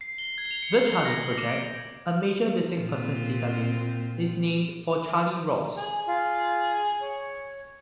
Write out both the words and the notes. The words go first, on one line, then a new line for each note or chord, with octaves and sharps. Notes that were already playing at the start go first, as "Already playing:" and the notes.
The Charley Project, a major missing persons database, is named for Charley Ross.
C7
G7
G#6
F7
C#7
G6
A#6
F#7
D6
D7
A#2 C4 F4
G#4
F4
C#5